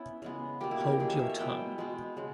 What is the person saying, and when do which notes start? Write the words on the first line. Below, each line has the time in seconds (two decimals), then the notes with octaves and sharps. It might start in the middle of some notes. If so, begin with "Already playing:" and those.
Hold your tongue.
Already playing: B3 C#4 E4
0.22 C#3 G#3 B3
0.61 B2 A#3 G4
0.71 E4
0.80 G4
0.90 A#4
0.99 B2 A#3 G#4
1.09 C#5
1.19 E5
1.29 E5
1.39 B2 G#3 B3 G5
1.78 B2 G#3 B3
2.17 C#3 G#3